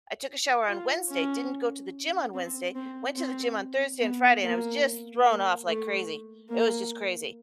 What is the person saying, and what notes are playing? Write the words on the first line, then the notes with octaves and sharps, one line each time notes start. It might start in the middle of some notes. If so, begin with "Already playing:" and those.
I took a shower on Wednesday, didn't go to the gym on Wednesday, went to the gym on Thursday and Friday, and I was just thrown off, like crazy. It was just crazy.
F4
C#4
C4
C4
C4
B3
A#3
A#3
A3
A#3